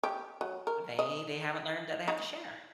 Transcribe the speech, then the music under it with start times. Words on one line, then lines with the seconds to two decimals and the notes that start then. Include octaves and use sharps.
they they haven't learned that they have to share!
0.03 G4
0.41 F#3
0.67 A#4
0.99 D#5
2.08 D#4